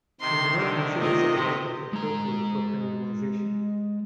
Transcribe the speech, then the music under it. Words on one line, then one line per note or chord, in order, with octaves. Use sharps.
We do not consider such conduct appropriate for criminalization.
C3 D#3 C6
D3
A3 F4 A#4 D#5
F#4 G4 C5
G#3 A#5